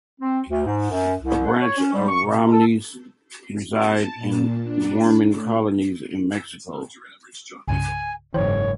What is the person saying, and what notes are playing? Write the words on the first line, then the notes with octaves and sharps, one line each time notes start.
A branch of the Romneys reside in the Mormon colonies in Mexico.
C4
D2
G#2
F#2
C2
F#5
C#5
C#4
G3
C#6
B2
A4
A5
A#2
D4
A2
C2 G2 C#3 G#5
F#1 G#2 E3 C5 C#5 G5